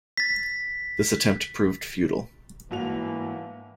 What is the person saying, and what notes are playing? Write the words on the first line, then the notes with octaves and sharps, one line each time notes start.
This attempt proved futile.
A6 B6
G1 G#2 E3 A#3 F#4 F7